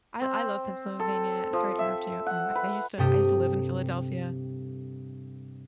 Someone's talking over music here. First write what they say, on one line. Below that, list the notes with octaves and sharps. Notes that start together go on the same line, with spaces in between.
I I love Pennsylvania. Sorry to interrupt you. Um, I used to I used to live in Philadelphia.
C4
A4
F3
E5
F#5
B4
G2 C3 A4 G5 D#6 B6